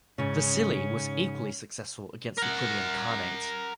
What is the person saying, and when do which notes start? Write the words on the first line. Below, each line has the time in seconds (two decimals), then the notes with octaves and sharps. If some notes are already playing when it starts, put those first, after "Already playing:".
Vasili was equally successful against the Crimean Khanate.
0.18 G#2 C#3 C#4
2.38 A#4 F#5